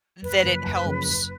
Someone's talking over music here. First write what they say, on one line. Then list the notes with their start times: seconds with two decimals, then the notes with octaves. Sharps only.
that it helps
0.22 F#1 B4
0.43 F#2 C#3 F3 A#3
0.65 F#1
0.85 F#2 C#3 F3 A#3
1.07 F#1